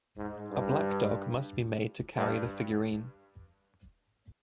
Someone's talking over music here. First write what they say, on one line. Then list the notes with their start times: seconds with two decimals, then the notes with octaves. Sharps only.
A black dog must be made to carry the figurine.
0.17 G#2
0.51 G2
2.17 G2